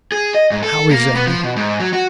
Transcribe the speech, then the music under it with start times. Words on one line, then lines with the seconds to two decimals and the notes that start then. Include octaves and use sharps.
"How is Amy?"
0.12 G#4
0.34 D#5
0.51 G#2
0.63 A4
0.91 A#3
1.15 B3
1.27 F3
1.43 B2
1.56 G#2
1.80 F#3
1.93 F#4